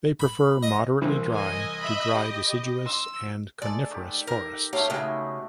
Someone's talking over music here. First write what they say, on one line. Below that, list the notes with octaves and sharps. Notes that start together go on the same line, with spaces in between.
They prefer moderately dry to dry deciduous and coniferous forests.
B5
D#5
C2 E3 C4
D#5 G#5
E5 B5
G4 B5
C6 E6
G#3 A4 D5
D#3 G4
A#4
B2 D#3 A3 C#4 G4 F5
C#3 G#3 B3 D#4 E4